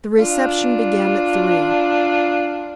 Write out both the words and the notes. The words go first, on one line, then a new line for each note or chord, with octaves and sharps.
The reception began at three.
D4 F4